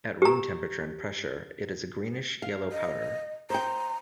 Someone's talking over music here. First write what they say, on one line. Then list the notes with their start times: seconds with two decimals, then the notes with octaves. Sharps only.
At room temperature and pressure it is a greenish yellow powder.
0.22 G4 A#5
2.42 F5
2.72 D#5
3.50 C5 G5 A#5